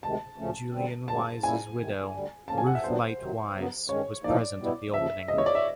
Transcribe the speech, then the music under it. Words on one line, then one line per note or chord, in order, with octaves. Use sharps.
Julian Wise's widow, Ruth Light Wise, was present at the opening.
D2 C3 D#3 G#3 A5
D2 C#3 F3 A3 C#4
D3 G3 C4
G2 D3 F#3 A3 C4 A5
A#2 G3 A#3 C#4 E4 G#5
E2 C3 D#3
D2 D3 G3
D3 F3 A#3 C#4 A5
G#5
F#5
E5
C3 D#3 F#3 B3 D4 C5
C3 D#3 F#3
C#3 F#3 B3
G2 D#3 G#3 C#4 C#5
A2 F3 A#3 D#4 D5
B2 G3 B3 E4
D#2 C#3 F3 E5
D#2 C#3 E3 G#3 D#5
C#5
D5
E5